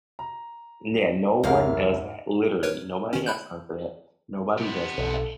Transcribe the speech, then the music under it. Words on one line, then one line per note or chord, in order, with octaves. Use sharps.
and yeah, no one does that, literally. Nobody has time for that. Nobody does that.
A#5
F1 C#2 G#2 A#4 E5 F5 F6
A#4 B4 C#5
D#3 C#4
B5 F#6 G6
C3 B3
B1 A4